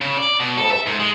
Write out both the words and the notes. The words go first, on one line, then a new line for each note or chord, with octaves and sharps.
Oh, okay.
C#3
D5
B2
A4
E5
G#2
G#3